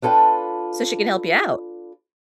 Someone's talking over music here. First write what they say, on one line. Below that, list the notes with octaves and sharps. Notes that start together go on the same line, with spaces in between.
So, she can help ya out.
D4 F4 A4 B4 G5